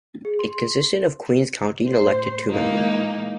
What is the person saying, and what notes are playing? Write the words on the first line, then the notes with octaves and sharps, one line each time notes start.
It consisted of Queen's County, and elected two members.
G#4
C6
A2 C5
A#2 E3 G#3 A#3 D#4